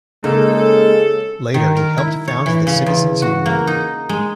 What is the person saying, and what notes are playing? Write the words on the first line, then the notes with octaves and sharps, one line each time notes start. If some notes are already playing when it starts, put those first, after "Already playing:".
Later he helped found the Citizens Union.
C#3 G#3 A#3 D#4 A4
D#3
A#4
E4
C#5
E3
C#3
E2
F#4
A#3
D#4
G#3